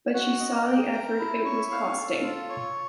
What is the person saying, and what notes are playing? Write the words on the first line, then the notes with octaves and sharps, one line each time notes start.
But she saw the effort it was costing.
F#4
D#5
G5
A#4
E4
C#5
F5
A4
F4
C#5